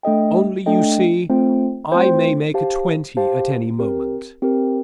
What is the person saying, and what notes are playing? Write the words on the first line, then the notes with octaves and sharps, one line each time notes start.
"Only, you see, I may make a twenty at any moment."
A3 D4 A4 D#5 G5
A3 D4 A4 D#5 G5
A3 C4 F4 C5 G5
A3 C4 F4 C5 G5
G4 C5 F5 A5
G4 C5 F5 A5
C4 G4 A#4
C4 G4 A#4